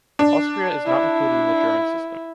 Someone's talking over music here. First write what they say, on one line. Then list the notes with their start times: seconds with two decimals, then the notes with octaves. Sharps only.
Austria is not included in the German system.
0.19 D4
0.86 E4